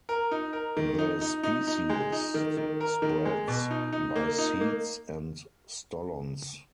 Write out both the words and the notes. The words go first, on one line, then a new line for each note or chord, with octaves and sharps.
The species spreads by seeds and stolons.
A#4
D#4
A#4
D#3
D#4
D#4
D#4
D#4
G#3
D#4
D#3
D#3
A#4
D#3
G#3
B2
D#4
D#4
A#3
D#4
A#3